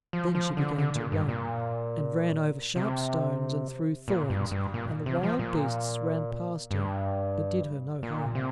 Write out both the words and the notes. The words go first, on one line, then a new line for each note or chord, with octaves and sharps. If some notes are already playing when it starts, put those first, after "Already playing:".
Then she began to run, and ran over sharp stones and through thorns, and the wild beasts ran past her, but did her no harm.
F3
F3
D3
D3
A#2
G2
A#2
C3
A#2
G2
G2
A#2
C3
F3
A#2
G2
A#2
C3